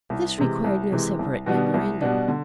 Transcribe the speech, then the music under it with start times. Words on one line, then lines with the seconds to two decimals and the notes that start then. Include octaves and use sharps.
This required no separate memorandum.
0.10 C2
0.38 C3 E3 G#3
0.64 C2
0.92 C3 E3 G#3
1.19 C2
1.46 B2 G3 B3 D4
1.74 C2
2.01 B2 G3 B3 D4
2.28 D3